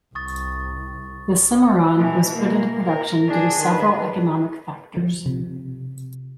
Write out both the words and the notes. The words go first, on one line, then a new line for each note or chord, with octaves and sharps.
The Cimarron was put into production due to several economic factors.
C2 C#6 D#6 A6
B2 E3
A#3
A#4
D4 G#4
D#3 B4
F3
C3